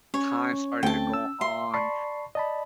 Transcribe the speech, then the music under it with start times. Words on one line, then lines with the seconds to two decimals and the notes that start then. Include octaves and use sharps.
time started to go on,
0.14 C#4 C#5
0.83 D2 A3 C4 G5 A5
1.14 E6
1.41 E5 C6
1.74 D5 A5 B5 C#6 C7
2.35 D5 D#5 A5 B5